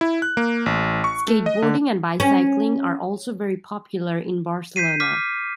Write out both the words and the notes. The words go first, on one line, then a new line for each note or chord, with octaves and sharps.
Skateboarding and bicycling are also very popular in Barcelona.
E4
F#6
A#3
A1
C#6
A3
D#5
D3
C#4
G6 B6 C7 D#7
D6 F6 B6